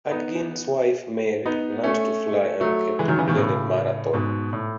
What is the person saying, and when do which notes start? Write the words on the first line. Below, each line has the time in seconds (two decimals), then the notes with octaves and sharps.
Hudgins' wife Mary learned to fly and kept a plane in Marathon.
0.11 B3 D#4
1.45 B3 D#4
1.83 A3 C#4
2.61 F#3 A3
2.99 E3 G#3
3.08 D#3 F#3
3.18 C#3 E3
3.27 B2 D#3
3.37 A2 C#3
4.13 G#2 B2
4.53 A2